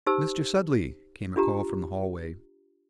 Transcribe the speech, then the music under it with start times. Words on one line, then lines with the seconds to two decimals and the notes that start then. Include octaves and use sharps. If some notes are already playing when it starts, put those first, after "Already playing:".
"Mr. Sudley!" came a call from the hallway.
0.07 D#4 G4 C5 A5 E6
1.36 D4 F4 G4 A#5